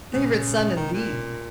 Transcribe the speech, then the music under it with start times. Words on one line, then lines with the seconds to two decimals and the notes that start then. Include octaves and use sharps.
Favorite son, indeed!
0.12 A#2 C#3 G#3 C#4
0.44 A#2 G#3 C#4
0.76 B2 D#3 G#3 C#4
0.93 A#2
1.09 B2 G#3 C#4